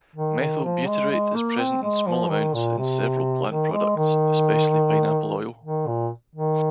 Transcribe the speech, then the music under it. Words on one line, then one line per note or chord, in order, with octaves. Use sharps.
Methyl butyrate is present in small amounts in several plant products, especially pineapple oil.
D#3
D#3
F3
G#3
G#3
A#3
C4
G#3
F3
D#3
A#2
C3
D#3
G#3
D#3
D#3
A#2
D#3